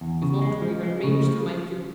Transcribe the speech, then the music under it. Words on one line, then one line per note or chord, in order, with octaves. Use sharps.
If not, we have means to make you.
E2
C#3
G#3
F3
G#3
C#3
F3